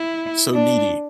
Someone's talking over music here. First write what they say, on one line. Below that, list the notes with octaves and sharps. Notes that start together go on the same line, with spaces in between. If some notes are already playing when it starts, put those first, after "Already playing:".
so needy.
Already playing: E4
D4